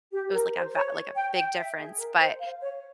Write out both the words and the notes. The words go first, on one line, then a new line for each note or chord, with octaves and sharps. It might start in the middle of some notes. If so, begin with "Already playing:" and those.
it was, like, a va like a big difference. But
G4
A#4
C5
C#5
G5
G5
E5
G#4
A#4
C5
F5
C#5